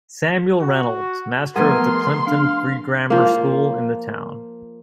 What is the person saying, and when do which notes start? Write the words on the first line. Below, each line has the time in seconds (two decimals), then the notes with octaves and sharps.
Samuel Reynolds, master of the Plympton Free Grammar School in the town.
0.61 F#4
1.56 F3 A3 B3 G#4 A#4 B4 F#5 C6
2.27 D4 F5
3.10 F3 A#3